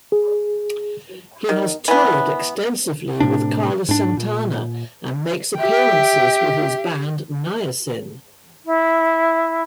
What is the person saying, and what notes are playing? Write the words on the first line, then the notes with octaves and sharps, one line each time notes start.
He has toured extensively with Carlos Santana and makes appearances with his band Niacin.
G#4
D#3
E3 B3
A2 C3 D4
G#2 D4
A#2
G4 E5 G5
E4